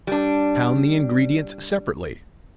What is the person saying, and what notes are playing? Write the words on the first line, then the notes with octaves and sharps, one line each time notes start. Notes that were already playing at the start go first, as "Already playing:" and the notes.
Pound the ingredients separately.
G3 D4